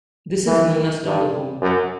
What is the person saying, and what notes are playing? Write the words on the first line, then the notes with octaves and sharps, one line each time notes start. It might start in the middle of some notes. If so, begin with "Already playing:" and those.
This is known as tumblehome.
E3
G2
F#2